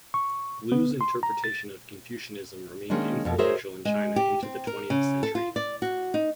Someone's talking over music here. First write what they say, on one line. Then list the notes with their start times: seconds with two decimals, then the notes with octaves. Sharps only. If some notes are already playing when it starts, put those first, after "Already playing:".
Lu's interpretation of Confucianism remained influential in China into the twentieth century.
0.14 C#6
0.72 B3
1.01 C6
1.23 A#5
1.44 A6
2.90 D#3 G#3 A#3 C#4 D4
3.25 F2 B2
3.38 F#4 G#4 A#4 C5 C#5 E5
3.85 G#3
4.16 G4
4.42 C4
4.67 A#4
4.90 C#3
5.23 A4
5.35 F4
5.56 D5
5.82 F#4
6.14 D#4